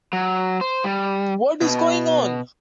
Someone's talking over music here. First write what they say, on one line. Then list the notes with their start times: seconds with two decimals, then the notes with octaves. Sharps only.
What is going on?
0.13 F#3
0.61 C5
0.84 G3
1.61 B2